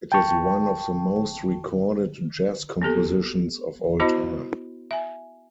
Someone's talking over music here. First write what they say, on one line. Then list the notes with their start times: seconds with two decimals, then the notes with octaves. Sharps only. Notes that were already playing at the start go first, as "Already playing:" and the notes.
It is one of the most recorded jazz compositions of all time.
0.12 G5 A5 C#6
2.82 A#3 B3 G4 A4
4.00 B3 E4 F#4 C5 D#5 B5
4.91 E5 G#5